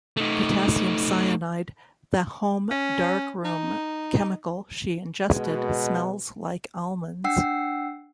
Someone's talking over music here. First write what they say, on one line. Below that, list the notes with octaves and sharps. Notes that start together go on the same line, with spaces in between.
Potassium cyanide, the home darkroom chemical she ingested, smells like almonds.
A3 D#4
C#4
D#4
B2 G#3
D4 F#5 G5 E6 C7